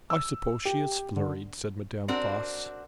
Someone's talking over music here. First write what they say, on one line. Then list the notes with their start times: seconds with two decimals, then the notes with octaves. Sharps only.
'I suppose she is flurried,' said Madame Voss.
0.10 E6
0.65 G4
1.16 D3
2.08 C4 D4 F#4 A#4